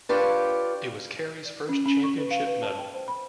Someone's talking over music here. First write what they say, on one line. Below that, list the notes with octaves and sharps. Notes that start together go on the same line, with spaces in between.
It was Carey's first championship medal.
D4 F4 G4 B4 C#5
D5
C#4
C#4
C#6
B4
F5
B4
A5
G5
C5
B5